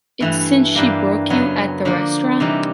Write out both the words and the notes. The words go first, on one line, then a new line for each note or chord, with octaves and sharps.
It’s since she broke you at the restaurant?
G2 E3 A3
G2 E3 G3 A#3
F#2 C#3 F#3 B3
D3 F3 A#3
C3 E3 G3 A#3 D#4